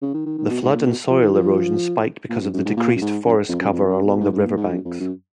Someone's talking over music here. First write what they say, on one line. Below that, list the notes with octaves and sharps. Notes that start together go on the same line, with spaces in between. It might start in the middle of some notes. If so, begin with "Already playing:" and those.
The floods and soil erosion spiked because of the decreased forest cover along riverbanks.
C#3
D#3
D#3
D#3
B2
G#2
A#2
B2
F3
D#3
F3
A#2
F#2
F#2
G#2
A#2
F#2
G#2
F#2
F2
F#2
F2
F#2
B2
G#2
F#2
G#2
A#2
G#2
F#2
F2
F#2